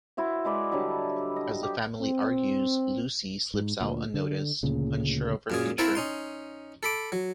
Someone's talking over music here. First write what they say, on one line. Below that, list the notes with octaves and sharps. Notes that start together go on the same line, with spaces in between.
As the family argues, Lucy slips out unnoticed, unsure of her future.
E4 F#4 C5
G#3 B4 D5
D3 F#3 G3 A5
D#5
G4
C4
G#2
D2 A#2
D3
D2 A#2 C#3
F#2 A#2 G#4
C4 E4 A#4 B4 F5 A5
C#4 D#4 C6
A4 B5 D6
F#3